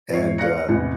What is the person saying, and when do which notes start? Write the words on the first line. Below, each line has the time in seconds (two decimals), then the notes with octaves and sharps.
and, uh
0.13 G#2 C#5 E5 C7
0.38 D5 F5 F#6 A#6 C#7
0.69 A1 E2 C3 E4